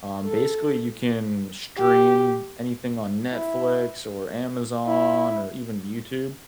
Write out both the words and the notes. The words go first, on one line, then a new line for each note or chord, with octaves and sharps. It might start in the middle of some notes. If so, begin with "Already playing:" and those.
um, basically, you can stream anything on Netflix, or Amazon, or even YouTube.
A4
G4
E4
E4